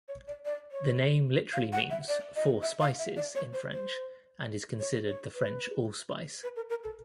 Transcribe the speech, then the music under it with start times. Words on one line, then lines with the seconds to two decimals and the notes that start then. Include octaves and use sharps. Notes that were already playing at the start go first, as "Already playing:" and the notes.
The name literally means "four spices" in French and is considered the French allspice.
0.08 C#5
0.28 D5
0.45 D5
0.72 C#5
1.53 F5
1.73 F#5
1.90 E5
2.08 D5
2.36 D#5
2.62 E5
2.80 F5
2.99 E5
3.17 D5
3.35 C#5
3.53 C5
3.72 C5
4.80 C#5
5.07 C#5
5.34 B4
6.43 B4
6.56 A#4
6.70 A#4
6.84 A4